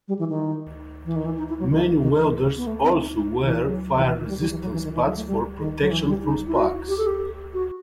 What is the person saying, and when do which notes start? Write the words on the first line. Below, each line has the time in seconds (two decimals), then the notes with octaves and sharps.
Many welders also wear fire-resistant spats for protection from sparks.
0.08 G3
0.19 E3
0.29 D#3
1.05 E3
1.16 D#3
1.25 E3
1.38 D#4
1.49 E4
1.59 F#3
1.70 D#3
2.02 D#3
2.19 E3
2.57 B3
2.67 A3
2.83 C4
2.99 D#4
3.16 E4
3.42 D#3
3.48 E3
3.65 F#3
3.97 E3
4.08 E3
4.18 D#3
4.29 G3
4.40 G3
4.50 E3
4.61 F#3
4.73 E3
4.84 D#3
4.94 E3
5.05 F#3
5.16 A3
5.27 G3
5.59 D#3
5.81 F#3
5.91 E3
6.08 G3
6.24 D#4
6.47 E4
6.55 F#4
6.88 G4
6.98 A4
7.07 G4
7.54 F#4